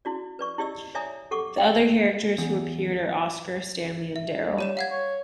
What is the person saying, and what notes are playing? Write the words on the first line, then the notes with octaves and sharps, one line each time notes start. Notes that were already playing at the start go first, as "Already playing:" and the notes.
The other characters who appeared are Oscar, Stanley and Darryl.
E4 F#4 D5
B4 D5 C#6
E4 G4 D5 D#5 E6
C#5 D5 E5 G#5 A#5 D#6
G4 A4 F#5 C#6 D6
G5
E2
E5
G3
G4 C#5 E7
F5 F#5 G#6
C#5